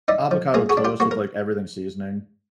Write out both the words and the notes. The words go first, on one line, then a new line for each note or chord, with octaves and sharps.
avocado toast with, like, everything seasoning.
D#4 D5 E5
F3
A#3 G#4 A#4
F#4 G#4
D4
F4 G4
A#3 F#4
A#4